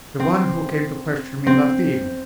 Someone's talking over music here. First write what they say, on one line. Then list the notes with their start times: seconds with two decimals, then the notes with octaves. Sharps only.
"The one who came to question me last evening."
0.20 C4
1.46 C4